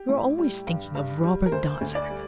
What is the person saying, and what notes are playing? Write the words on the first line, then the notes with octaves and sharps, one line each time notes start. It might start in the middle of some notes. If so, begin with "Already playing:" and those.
You are always thinking of Robert Darzac.
Already playing: G4
A2
G3
G2
G2
G3
A#4
D2 C5
D2
D5
G3